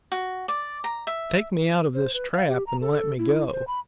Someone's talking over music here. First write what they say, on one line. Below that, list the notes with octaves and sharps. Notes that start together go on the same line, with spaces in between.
Take me out of this trap and let me go.
F#4
D5
A#5
E5
C5
B4
F5
G4
A#5
A4
E4
C5
B5